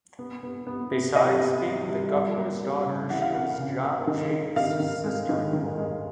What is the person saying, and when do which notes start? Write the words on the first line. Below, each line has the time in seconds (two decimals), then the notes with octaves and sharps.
Besides being the governor's daughter, she was John Jay's sister-in-law.
0.19 B3
0.43 B3
0.67 B3
0.91 C3
1.16 C3 D#5
1.41 B3
1.65 E3
1.89 G3
2.12 G3 E5
2.37 A#3
2.61 G3
2.85 C#3
3.10 E3 F#5
3.22 F5
3.34 A#3 F#5
3.58 C#3
3.83 A#3
4.07 D#3
4.31 D#3
4.56 D#3 F5
4.80 D#3
5.04 G#3
5.29 D#3
5.53 D#3
5.77 G#3